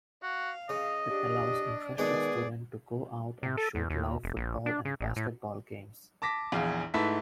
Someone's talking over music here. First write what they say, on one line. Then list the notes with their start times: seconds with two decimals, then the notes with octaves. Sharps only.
It allows interested student to go out and shoot live football and basketball games.
0.23 F#4 F5
0.69 C#3 D#5
1.10 D4 G4
1.98 B2 D#3 G#3 G#4 D5 D6
3.43 C3
3.57 A4
3.75 E2
3.90 D#2
4.23 F1
4.37 A#1
4.66 D4
4.85 C#3
5.01 A1
5.16 A2
6.22 A5 D6 A#6 B6
6.52 A#1 E2 G#4 F5
6.94 G#2 A3 E4 B4 A5 B6